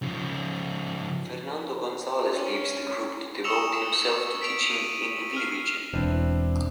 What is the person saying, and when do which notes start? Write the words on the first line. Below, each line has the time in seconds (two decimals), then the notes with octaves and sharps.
Fernando González leaves the group to devote himself to teaching in the V Region.
0.02 C#3 F3
2.31 C#4
3.44 C#6 D#6 E6 C#7 E7 F7
4.42 B6 D7 F7
4.65 D#7 F#7
5.17 F#7
5.37 F6 C7
5.94 E1 C4 D4 E4